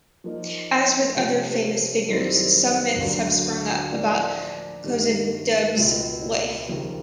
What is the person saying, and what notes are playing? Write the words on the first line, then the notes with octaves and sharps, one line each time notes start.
As with other famous figures, some myths have sprung up around Kozhedub's life.
F3 A#3 D#4
C3 F3 A3 C#4
F#2 D#3 G3 C4 E4
D2 D3 F#3
A2 F3 A#3 D4
G2 D#3 G3
C#2 B2 G#3
D#2 C#3 F3 A#3